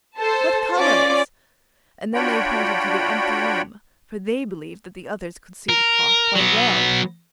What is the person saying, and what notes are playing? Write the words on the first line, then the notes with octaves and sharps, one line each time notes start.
What colours!' And then they pointed to the empty loom, for they believed that the others could see the cloth quite well.
A4 C5 A5
C#4 F4 D5 D6
D4 F4 F#4 C#5 G5 B5
A#4
F#3 B3